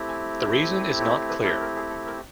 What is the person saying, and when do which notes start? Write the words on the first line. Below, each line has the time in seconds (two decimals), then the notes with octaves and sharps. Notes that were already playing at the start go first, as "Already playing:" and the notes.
The reason is not clear.
Already playing: A3 C4 E4 G4
0.09 G#5
1.00 C#5
1.14 C#5
1.29 B4
1.44 A#4
1.61 A#4
1.76 G#4
1.90 A4
2.06 A#4